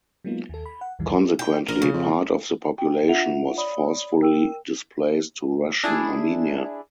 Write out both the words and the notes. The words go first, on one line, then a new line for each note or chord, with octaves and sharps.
Consequently, part of the population was forcefully displaced to Russian Armenia.
F#3 G#3 A#3 B3 D#4 F4
D#2 A4
B5
F#5
B1 E2 A2 D#3 E3 G3
G4
G5
A#1 A#4
C#3
F2
G5
D4 F4 E5 F#5 F7
C#5 D5 B5 D#6
A#4 G5 E6
D4 E4 G#4